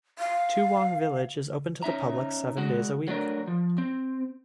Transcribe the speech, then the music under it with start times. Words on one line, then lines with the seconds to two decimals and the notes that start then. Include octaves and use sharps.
Toowong Village is open to the public seven days a week.
0.19 F5
1.83 C#4 D#4 E5 A#5
2.58 G#3 F#4
3.08 F#3 A3 D4 A#4
3.47 F3
3.78 C4